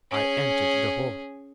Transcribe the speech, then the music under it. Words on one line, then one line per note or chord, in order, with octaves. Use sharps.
I entered the hall.
C#4 G#4